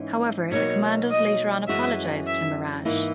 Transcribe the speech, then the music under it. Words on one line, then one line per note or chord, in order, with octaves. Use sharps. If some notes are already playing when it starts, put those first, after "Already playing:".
However, the commandos later on apologized to Meeraj.
Already playing: G#2 E3 C#4
B2 F#3 A#3 D#4 C#5
D#5
F#2 E3 G#3 C#4 F#4 E5
E5
G#2 E3 A#3 E4